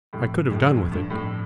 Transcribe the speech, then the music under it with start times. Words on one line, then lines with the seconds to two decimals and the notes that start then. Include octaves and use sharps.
I could have done with it.
0.13 F2 A2
0.51 F2 A2
0.72 F2
0.92 G2
1.10 F2 A2